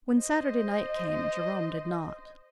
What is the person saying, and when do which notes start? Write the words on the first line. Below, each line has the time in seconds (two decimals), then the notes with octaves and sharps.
When Saturday night came Jerome did not.
0.18 C5 D#5